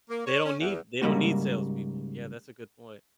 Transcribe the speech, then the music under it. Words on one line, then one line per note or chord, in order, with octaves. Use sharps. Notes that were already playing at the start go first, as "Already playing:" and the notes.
they don't need they don't need salespeople. Yeah, that's a good point.
A#3
C#5
C#4
E2
G#2 C#3 E3 G3 A#3 F#4